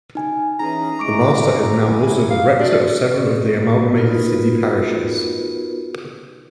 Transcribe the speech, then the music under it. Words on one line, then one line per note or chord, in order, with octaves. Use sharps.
The Master is now also the rector of several of the amalgamated city parishes.
D#4 G#5
E3 C#4 D#4 G#4 A#5
A2 G#3 A3 C#6 D6 D7
E4 G#5
F5
D4 F#4 D5 E5
B3 D#4 F4 F#4 A#4 B4